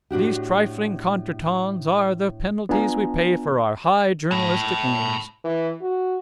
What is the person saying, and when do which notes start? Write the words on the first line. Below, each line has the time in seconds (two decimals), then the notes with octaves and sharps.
These trifling contretemps are the penalties we pay for our high journalistic aims.
0.11 A2 D4 F#4 G4
2.69 B3 D4 F4 G#5 A#5
4.31 A5 B5
5.44 E3
5.82 F#4